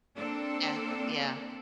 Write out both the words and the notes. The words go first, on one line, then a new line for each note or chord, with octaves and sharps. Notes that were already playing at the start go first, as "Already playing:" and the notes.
Yeah, yeah.
A#3 C4 D4 A4